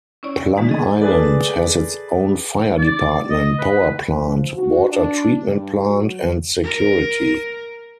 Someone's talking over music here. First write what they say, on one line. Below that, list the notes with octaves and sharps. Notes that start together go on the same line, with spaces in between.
Plum Island has its own fire department, power plant, water treatment plant and security.
C#4 E4 C#5 D5
D5
D3 E3 G#3 A3 D#4
G#4 A4 D#5
G#4 A4 B4 D5
D5
D#5
B4
F3
F#4
D4
G2
F#3
A#4